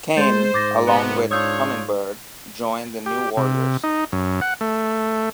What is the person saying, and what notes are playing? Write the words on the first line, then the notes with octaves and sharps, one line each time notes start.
Kaine along with Hummingbird join the New Warriors.
G#3 C5 C6 A6
G#2 D6 A6 A#6
C3 B3
D4 F4 C#5 D#6 E6 G6
G4
C3
D#4
F#2
F#5
A3